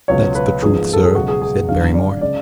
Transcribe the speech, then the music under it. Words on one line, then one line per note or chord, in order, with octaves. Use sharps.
"That's the truth, sir," said Barrymore.
C#2 B2 F#3 B3 F4 C#5
B4
G#1 G#2 F3 B3 G#4
A4
G#4
C#2 B2 F#3 F#4
G#4
G#4
G#1 F#2 D3 F5
D5
C#3 G#3 D5